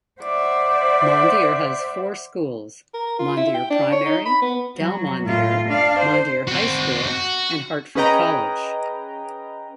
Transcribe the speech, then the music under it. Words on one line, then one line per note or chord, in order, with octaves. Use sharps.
Mondeor has four schools; Mondeor Primary, Dalmondeor, Mondeor High School and Hartford College.
C5 D5 E5 F#5
A#4
F4
E4
G5
D4
C#5
D#4
B5
B3
F#3
A2 F4
D4 F5
C5
C4 F#4
F#4
C#4 G#4 B4 D#5 G5 A#5